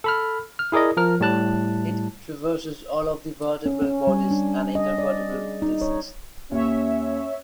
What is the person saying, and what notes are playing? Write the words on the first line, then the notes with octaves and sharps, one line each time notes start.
It traverses all of the vertebral bodies and intervertebral discs.
A4 B5 F6
F6
E4 G#4 A#4 D5 D#5
F3 A#4 F6
A2 G3 A5 F#6
C#4
C#4
G3
D4
D#5
D5
G#4
D#4
C#5
D#2 C#4 C#5 E5